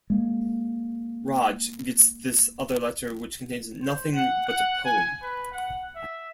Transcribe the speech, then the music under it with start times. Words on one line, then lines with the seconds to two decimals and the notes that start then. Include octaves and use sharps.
Raj gets this other letter which contains nothing but a poem.
0.10 G#3 A#3
3.82 C5
4.14 F#5
4.47 F#5
4.85 G#5
5.21 B4
5.52 F#5
5.96 E5